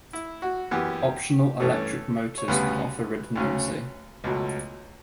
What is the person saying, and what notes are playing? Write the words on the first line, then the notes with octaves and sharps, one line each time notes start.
Optional electric motors could offer redundancy.
E4
F#4
F#2 E3 B3 G4
G2 E3 A3 C#4 A4
C#5
D2 C#3 G3 B3 B4
D2 C#3 F#3 C#4
C#2 B2 F#3 A3